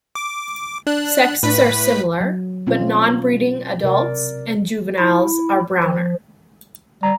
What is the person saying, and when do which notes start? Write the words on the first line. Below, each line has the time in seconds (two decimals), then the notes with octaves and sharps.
Sexes are similar, but non-breeding adults and juveniles are browner.
0.15 D6
0.87 D4 F#6
1.43 A2 B4 B6
2.20 F#3
2.67 B2 C4 C#4 F4
3.83 C3 A#4 D5
4.98 E4
5.83 F3
7.03 G3 A#5